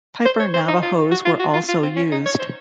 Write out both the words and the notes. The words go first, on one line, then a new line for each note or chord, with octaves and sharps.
Piper Navajos were also used.
C5
C#5
C5
D#4
F4
F#4
F4
F#4
F4
F4
C4
C#4
D#4
C#5
C5